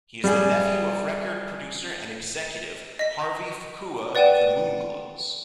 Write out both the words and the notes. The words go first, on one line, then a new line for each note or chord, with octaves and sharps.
He is the nephew of record producer and executive Harvey Fuqua of The Moonglows.
G3 G#4
D#5 B6
B4 D5 F#5 G5 D#7 E7